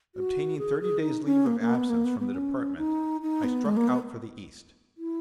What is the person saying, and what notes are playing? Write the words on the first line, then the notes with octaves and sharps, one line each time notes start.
Obtaining thirty days' leave of absence from the department, I struck out for the East.
F#4
G#4
G#4
D#4
C#4
A#3
A#3
B3
A#3
B3
B3
C#4
D#4
D#4
B3
G#3
A#3
B3
E4